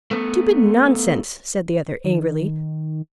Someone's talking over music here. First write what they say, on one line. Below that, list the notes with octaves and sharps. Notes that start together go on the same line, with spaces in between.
"Stupid nonsense!" said the other angrily.
A3 B3
D#3